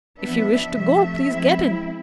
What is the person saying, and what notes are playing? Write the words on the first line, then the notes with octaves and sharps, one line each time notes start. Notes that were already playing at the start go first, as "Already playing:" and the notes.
"If you wish to go, please get in."
F3 B3 D4 E5
C3 F3 A3 E5
F3 G#3 C4 E4